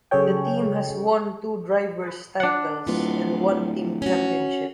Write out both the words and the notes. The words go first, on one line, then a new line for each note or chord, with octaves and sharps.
The team has won two drivers titles and one team championship.
C#3 F#3 G#4 A4 C#5 G5
D4 F#5
D1 B3 F4
C#4 F#4